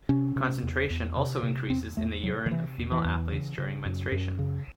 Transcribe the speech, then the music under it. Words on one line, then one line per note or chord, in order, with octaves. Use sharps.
Concentration also increases in the urine of female athletes during menstruation.
C3 C#4
C3
E2
E2
C3
C3
E2 C4
E2 A3
C3 F#3
D#3
C3 E3
E2
E3
E2
C#3
C#3
F#2
F#2
C#3